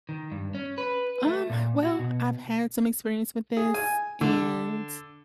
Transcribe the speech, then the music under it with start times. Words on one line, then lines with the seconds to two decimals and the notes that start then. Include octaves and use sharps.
Um, well, I've had some experience with this. And
0.09 D#3
0.32 G2
0.55 C#4
0.78 B4
1.26 A3
1.50 A#2
1.83 F#4
1.99 B2
3.57 G#4
3.74 G#5
4.21 D3